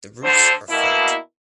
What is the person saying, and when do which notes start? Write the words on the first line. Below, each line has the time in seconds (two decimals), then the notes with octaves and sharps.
The roofs are flat.
0.23 D2 D3 C5
0.70 B2 A#3 E4